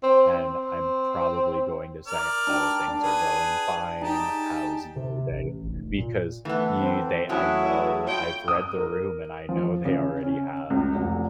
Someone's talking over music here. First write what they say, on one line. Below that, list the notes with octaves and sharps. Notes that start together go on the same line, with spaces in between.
And I'm probably going to say, "Oh, things are going fine. How is your day?" Because you they I know I've read the room, and I know they already have,
C4
C4
A#4 D5 F6
D4 G4
D4
G#4 B4
D#4 G4 G#4 A5
C3
A1
F1
A#2
E3 A3 B3 A4
C4
F#3 A3 C#4 E4 F#4 G#4 A4
E4 F4 C#5 G5
D#6
A#4
F3
C#3
C#4
C#2
F1